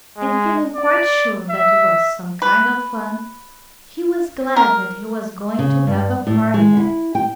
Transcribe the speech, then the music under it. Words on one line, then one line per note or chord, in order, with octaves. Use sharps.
And feeling quite sure that it was some kind of fun, he was glad that he was going to have a part in it.
G#3
D5
E5
B4
A#4
C#3
G2
A2
G#3
E4
G5